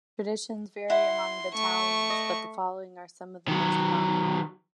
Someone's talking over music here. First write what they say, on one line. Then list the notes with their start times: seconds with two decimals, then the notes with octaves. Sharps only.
Traditions vary among battalions, but the following are some of the most common.
0.90 E4 F#5 C6
1.54 A3 C#6
2.10 D#5
3.48 D#3 F#3